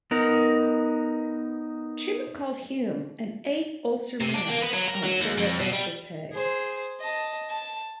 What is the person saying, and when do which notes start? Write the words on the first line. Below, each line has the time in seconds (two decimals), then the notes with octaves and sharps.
Truman called Hume an eight ulcer man on four ulcer pay.
0.11 B3 D#4 A#4
4.20 C3
4.34 D4
4.48 A#3
4.62 B3
4.74 F#3
4.88 A#4
5.03 F#3
5.21 D#2
5.38 F2
5.60 B2
5.73 G3
6.33 G#4 C5
7.00 D#5 A5
7.50 A5